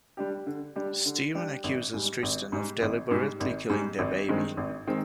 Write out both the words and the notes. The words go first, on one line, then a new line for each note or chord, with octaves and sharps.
Stephen accuses Tristen of deliberately killing their baby.
G3 D4 G4
D3
G3 D4 G4
D3
G3 D4 G4
G#1
G#2 G3
G#1
G#2 G3
G#1
G#2 G3
G#1
G#2 G3
G#1
G2 D#3 G#3 C4
G#1
D#3 G#3 C4